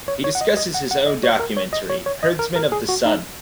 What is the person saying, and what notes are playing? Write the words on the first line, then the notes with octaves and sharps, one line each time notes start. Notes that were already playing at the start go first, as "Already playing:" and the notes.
He discusses his own documentary "Herdsmen of the Sun".
C#5
C#5
F#5
D#5
D#5
F#5
F#5
D#5
C#5
A#4
C#5
D#5
C#5
C#5
D#5
A#4
A#4
G#4
F#4
D#4